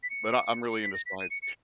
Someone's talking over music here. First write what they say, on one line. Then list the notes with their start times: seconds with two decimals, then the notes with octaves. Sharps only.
But I I'm really into science.
0.03 B6
0.10 C#7
0.70 C#7
0.82 B6
0.94 A#6
1.06 B6
1.19 D#7
1.30 C#7
1.42 C#7